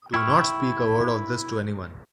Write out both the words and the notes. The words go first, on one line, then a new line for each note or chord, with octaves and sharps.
Do not speak a word of this to any one.
E4 G5 C#6 F6